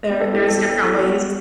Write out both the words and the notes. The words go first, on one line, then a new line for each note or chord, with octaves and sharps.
there there's different ways
B3 G4
A4
E4 G4 A4
A4
B3 G4
A4
E4 G4 A4
B3 F#4